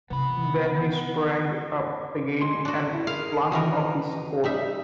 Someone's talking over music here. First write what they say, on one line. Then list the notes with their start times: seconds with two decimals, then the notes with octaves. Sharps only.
Then he sprang up again and flung off his coat.
0.10 C3 E3 B3 B5
2.41 G#3 C6
2.65 D4 F#4 A4 D5
2.93 E4
3.07 G#4 A#4 F5
3.52 D#3 E3 F#4 A#4 B4
4.44 G3 D#4 E5